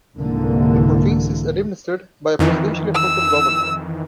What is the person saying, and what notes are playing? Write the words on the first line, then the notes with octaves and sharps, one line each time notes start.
The province is administered by a presidentially appointed governor.
C2 G#2 D3 E3 A#3
F2 D#3 E3
E6